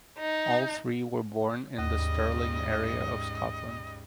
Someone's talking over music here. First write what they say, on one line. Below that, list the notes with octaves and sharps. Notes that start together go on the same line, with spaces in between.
All three were born in the Stirling area of Scotland.
D#4
D#2 G#2 C#3 G3 D#5